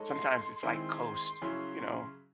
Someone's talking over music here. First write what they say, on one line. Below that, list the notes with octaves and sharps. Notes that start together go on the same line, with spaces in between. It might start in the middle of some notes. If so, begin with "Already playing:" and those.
Sometimes it's like coast, you know,
Already playing: G#3 D#4 A4 C#5
C6
C6
C6
D#3 G#3 C4 E4 G#4
C#3 F#3 C#4 E4 G#4